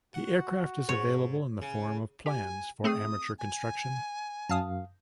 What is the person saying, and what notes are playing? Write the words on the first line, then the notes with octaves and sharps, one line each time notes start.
The aircraft is available in the form of plans for amateur construction.
F#4 F#5
G#2 C#5
C#3 G#5
G4 G#5
A3 C4 G#4 D#6
G#5
F#2 F5 A5 D#6